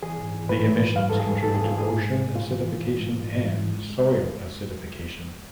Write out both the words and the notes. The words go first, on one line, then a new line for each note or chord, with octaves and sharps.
The emissions contribute to ocean acidification and soil acidification.
E3 G#4
G#2
E3
G#2 B4
E3
G#2
E3 F5
G#2 A4
G#4
G#3
G#2 A4
G#2 G#4
F4
G#2 G#4
G#2
G#3
G#2
G#2 F4
E3
E3
G#2
G#3
G#2
G#2
E3
E3
G#3
G#3